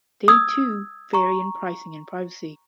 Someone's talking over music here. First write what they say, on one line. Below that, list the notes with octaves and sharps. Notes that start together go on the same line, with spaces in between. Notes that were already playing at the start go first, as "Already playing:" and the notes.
They too vary in pricing and privacy.
D#6 E6 G#6
A#5 C#6